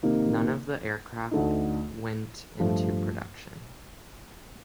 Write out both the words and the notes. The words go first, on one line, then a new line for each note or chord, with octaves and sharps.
None of the aircraft went into production.
C3 D#3 A#3 D#4
D2 D3 A3 D#4
G2 F3 A3